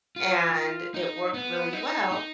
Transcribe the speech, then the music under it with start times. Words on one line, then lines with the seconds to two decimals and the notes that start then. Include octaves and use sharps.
and it worked really well.
0.16 F4
0.94 D#4
1.34 B3
1.73 D#4
2.12 D#4